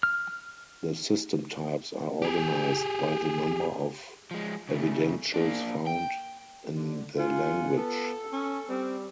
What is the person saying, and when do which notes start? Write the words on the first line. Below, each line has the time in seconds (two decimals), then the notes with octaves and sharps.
The system types are organized by the number of evidentials found in the language.
0.03 F6
2.22 G4 G#4
4.31 F3 G#3
4.69 C#3 A3
5.34 A#3 D4
5.87 G5
6.73 D3
7.18 G2 F4 F#5 G#5
7.76 B3 A4
8.33 C#4
8.68 G3 C4